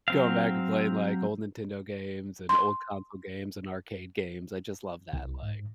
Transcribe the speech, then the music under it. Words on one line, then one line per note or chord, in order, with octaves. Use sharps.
going back and playing, like, old Nintendo games, and old Console games, and Arcade games, I just love that, like
F#3 C4 F5
C6
C2
G#2